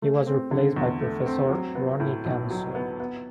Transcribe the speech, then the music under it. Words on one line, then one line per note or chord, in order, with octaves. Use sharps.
He was replaced by Professor Roni Gamzo.
A3
C4
D3
E2
A3
C4
F#3
B3
A2
B1
F#3
B3
B3